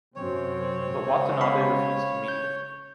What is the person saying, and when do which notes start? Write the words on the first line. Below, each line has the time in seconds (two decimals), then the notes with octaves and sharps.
But Watanabe refused to meet him.
0.16 F#2 C3 C4 C#5
0.92 C#3 G#3 C#4
1.41 F5 B5
2.28 G6